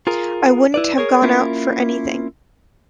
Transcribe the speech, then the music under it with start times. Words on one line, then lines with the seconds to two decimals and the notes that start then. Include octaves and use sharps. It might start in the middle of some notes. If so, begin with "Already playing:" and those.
I wouldn't have gone out for anything.
0.07 F4 G#4 A#4
0.74 E4 B4 D5
0.98 G#4 A#4 C#5
1.22 A#3 C#4 E4 F4 A#4